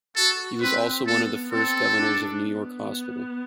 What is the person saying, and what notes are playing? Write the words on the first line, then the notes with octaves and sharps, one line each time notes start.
He was also one of the first governors of New York Hospital.
F#4 A4
C4 B4
B3 A4
C4 A4
D4
B3